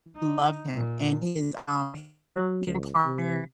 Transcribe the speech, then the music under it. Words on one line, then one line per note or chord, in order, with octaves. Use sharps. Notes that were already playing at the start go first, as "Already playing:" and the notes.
loved him and his, um, er can partner
D#4
A#2
F#3
C#2
C3